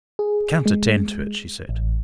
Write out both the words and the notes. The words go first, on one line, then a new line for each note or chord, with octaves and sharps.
"I can't attend to it," she said.
G#4
G#3
A1